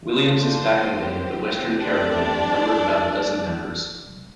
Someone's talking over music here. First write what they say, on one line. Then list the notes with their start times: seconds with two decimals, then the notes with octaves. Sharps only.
Williams' backing band The Western Caravan numbered about a dozen members.
0.13 A3 D4 F4 A4 C5
0.96 C4 G4
1.77 A3 C4 D4 G4 D5